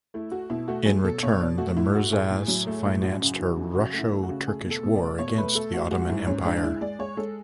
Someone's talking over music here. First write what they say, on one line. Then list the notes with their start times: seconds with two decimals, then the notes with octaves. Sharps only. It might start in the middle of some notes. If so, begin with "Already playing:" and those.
In return, the Mirzas financed her Russo-Turkish war against the Ottoman Empire.
0.14 A3 E4
0.32 A3 F#4
0.50 B2 E4
0.68 A3 F#4
0.86 F#3 G#4
1.04 B2 A4
1.23 B2 C#5
1.40 B2 D5
1.58 A3 F#4
1.77 A2 E4
1.95 A3 F#4
2.12 A2 G#4
2.31 A2
2.48 F#3
2.67 A3
2.85 A2
3.02 F#2 F#4
3.21 C#3
3.39 E3
3.57 F#2
3.74 C#3 F#4
3.93 A3
3.99 E4
4.12 A3
4.23 F#4
4.29 C#3
4.47 A3 G#4
4.66 B2
4.71 A4
4.83 B2
4.96 D5
5.02 A3
5.19 B2 C#5
5.38 A3 B4
5.55 A3 A4
5.74 A3 F#4
5.91 G#3 F#4
6.02 F#4
6.09 G#2 E4
6.27 G#2 C#4
6.45 G#3 D4
6.57 D4
6.63 G#3 E4
6.81 G#3 D5
6.99 G#3 C#5
7.17 G#3 A4